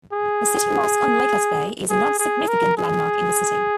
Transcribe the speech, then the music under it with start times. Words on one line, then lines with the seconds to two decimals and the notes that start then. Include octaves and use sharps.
The City Mosque on Likas Bay is another significant landmark in the city.
0.13 G#4
1.89 G#4
2.19 G#4
2.48 A#4
2.77 G#4